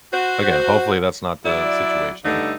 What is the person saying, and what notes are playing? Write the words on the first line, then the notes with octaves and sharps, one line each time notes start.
again, hopefully, that's not the situation.
F#4 C5
F#3 E4 D5
G2 D3 A3 D#4